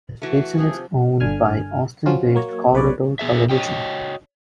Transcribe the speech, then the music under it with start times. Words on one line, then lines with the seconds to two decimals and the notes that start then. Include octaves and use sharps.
The station is owned by Austin-based Corridor Television.
0.22 E3 A3 F#4
0.59 C3 F3 G#4
1.20 G1 D3 G#5 F6
2.06 F3 F#3 C#4 F4 F#4
2.35 F#3 A#3 C#5
2.73 B1 A3 B4 C#5 D5
3.19 B2 B3 G#4 E5
3.50 F#4 C#5 D#5 G5